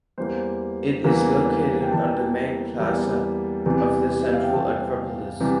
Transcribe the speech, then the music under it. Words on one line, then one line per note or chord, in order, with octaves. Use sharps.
It is located on the Main Plaza of the Central Acropolis.
E2 E3 G3 A#3 C5
E2 E3 G3 A#3
G5
E2 E3 G3 A#3 A5
E2 E3 G3 A#3
E2 C3 E3 G3
E5
F5
G5
E2 C3 E3 G3 A5
C3 E3 G3